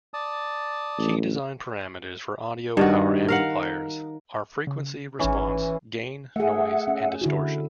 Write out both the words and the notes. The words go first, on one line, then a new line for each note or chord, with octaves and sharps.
Key design parameters for audio power amplifiers are frequency response, gain, noise, and distortion.
D5 A5 D#6
A1
G2 D#3 F#4
A#4 F5 F#5
C#3
G#1 E3 C#4 D#4 C#5
A3 G#4 E5 F#5
C#4
D3 E4 F#4